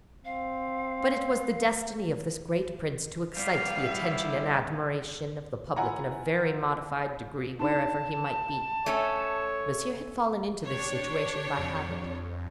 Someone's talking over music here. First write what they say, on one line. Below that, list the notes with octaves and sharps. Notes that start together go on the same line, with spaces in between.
But it was the destiny of this great prince to excite the attention and admiration of the public in a very modified degree wherever he might be. Monsieur had fallen into this situation by habit.
C4 F5
G3 B3 F5
E4
E4 F4 F#5 G#5 A#5
D4 D#4 A5
A3 C#4 C#5
D4 G4 C#5
F2